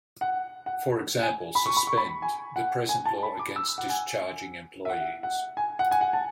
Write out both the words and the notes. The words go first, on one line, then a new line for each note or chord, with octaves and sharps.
For example, suspend ... the present law against discharging employees.
F#5
F#5
G#5
B5
C#6
B5
C#6
B5
G#5
F#5
G#5
A5
B5
D6
E6
F#5
G#5
E5
F#5
F#5
G#5
F#5
G#5
F#5
A5